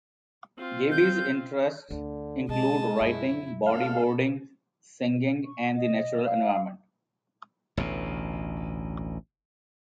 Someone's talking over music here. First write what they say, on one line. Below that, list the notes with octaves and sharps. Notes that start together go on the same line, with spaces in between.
Gaby's interests include writing, body-boarding, singing and the natural environment.
C4 F4
G6
D2 D3
B2 G#3 D#5 A5
F#2 E4
C#2 A4 F5
C#6
D#5
F5
A1 D2 B2